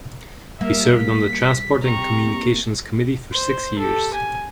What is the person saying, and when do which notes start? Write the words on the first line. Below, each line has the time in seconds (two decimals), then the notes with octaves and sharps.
He served on the transport and communications committee for six years.
0.61 G3 A#3 A#4 E5
0.99 B6
1.83 C3 A#5 C#6
2.25 A#3
3.33 C5
3.79 G4 A4
4.13 G#5